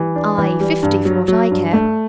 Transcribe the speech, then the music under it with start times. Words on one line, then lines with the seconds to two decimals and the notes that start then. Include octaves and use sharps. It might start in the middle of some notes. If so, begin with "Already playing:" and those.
Aye, fifty, for what I care.
Already playing: E3 G3
0.16 D4
0.38 E3
0.60 G3
0.83 G2
1.05 F#3
1.28 F#3
1.51 G2
1.73 A3